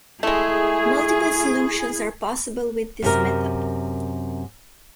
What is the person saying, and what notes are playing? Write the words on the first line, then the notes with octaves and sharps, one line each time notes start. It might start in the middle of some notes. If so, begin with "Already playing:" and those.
Multiple solutions are possible with this method.
G#3 A3 E4 G#4
F#2 C3 A#4